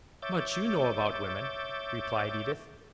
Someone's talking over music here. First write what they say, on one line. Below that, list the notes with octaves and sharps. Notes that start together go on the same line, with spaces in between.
"Much you know about women," replied Edith.
C#5 E5 D6 G6 A6